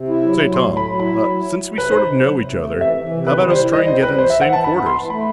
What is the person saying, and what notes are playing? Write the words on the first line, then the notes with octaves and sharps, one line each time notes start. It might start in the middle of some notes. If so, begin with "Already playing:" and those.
"Say, Tom--ah, since we sort of know each other, how about us trying to get in the same quarters?"
Already playing: C3
E4
F#3
F#3
A2 C6
F#3
B5
F#3
E4 B5
F#3
E4
F#3
F#3
C3 B4
D#4 C5
C3
F#3
C3
A3
C3
E3 E5
E3
C3
D#3 B4
G3
C5
E4
G3 D#5
C4 C5
G3 B4
E3 C5
E5
E3
F#5
E3 A5
G2 B5
B3
C6
E3
A3 B5